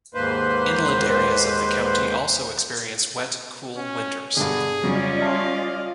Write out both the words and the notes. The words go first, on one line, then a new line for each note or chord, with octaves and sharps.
Inland areas of the county also experience wet, cool winters.
D#2 G#2 A#3 B4 C5
C#4
G2 B2 D3 G#4
F2 C#3 F#3 G3 C#4 F4 D5 D#5
E5 F5 A5 C6